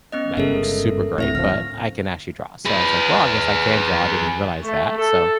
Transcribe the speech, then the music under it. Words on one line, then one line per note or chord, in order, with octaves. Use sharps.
like, super great, but I can actually draw. So I was like, "Well, I guess I can draw. I didn't realize that, so
B3 C#4 D#5
G1 C#3 G#3 A4 A#4 E5
D2 A2 C4 E5 A#6
D1 D2 F3 F6
G#4 B4
A3
A4